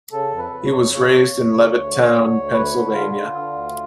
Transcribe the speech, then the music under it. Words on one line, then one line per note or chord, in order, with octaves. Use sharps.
He was raised in Levittown, Pennsylvania.
C#3 A4
F2
B4
F2
C#5
F2
C#3 C#5
C#3
F2
C#3
D2
D3
D3
D2
D2 B4
D3
D3 F4
D3
D3
D2